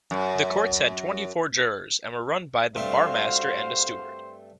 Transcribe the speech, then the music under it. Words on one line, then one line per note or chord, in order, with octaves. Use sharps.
The courts had twenty-four jurors, and were run by the Barmaster and a steward.
F#2
G2 A3 C4 F#4 C5 F5